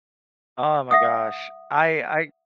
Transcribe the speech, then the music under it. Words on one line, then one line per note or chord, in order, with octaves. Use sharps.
Oh, my gosh. I I
E5 F#5 D#6